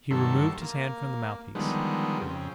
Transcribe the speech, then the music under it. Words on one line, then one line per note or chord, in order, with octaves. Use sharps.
He removed his hand from the mouthpiece.
G2 D#3 F#3 A3 A4 C6
A#3
D3 D#3 F3 G3 G#3 B3
F2 C#3 C4